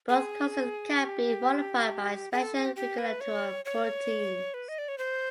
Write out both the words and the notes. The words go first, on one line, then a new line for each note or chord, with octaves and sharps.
Both constants can be modified by special regulatory proteins.
G#4
G4
G#4
A4
G#4
G4
G4
B4
C#5
C#5
B4
D#5
D5
C#5
C5